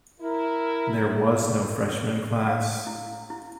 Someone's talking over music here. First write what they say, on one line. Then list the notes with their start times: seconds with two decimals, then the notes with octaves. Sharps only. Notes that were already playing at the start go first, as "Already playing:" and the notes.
There was no freshman class.
0.20 E4 A#4
2.48 F5
2.87 E4
3.30 E4